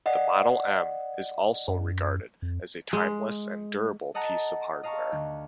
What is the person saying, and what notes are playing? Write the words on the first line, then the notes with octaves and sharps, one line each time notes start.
The Model M is also regarded as a timeless and durable piece of hardware.
D5 D#5 F#5
F#2
F2
G#3
A4 D#5 F#5 A5 A#5 A6
D#5 F5 A5 A#5 C#6
D2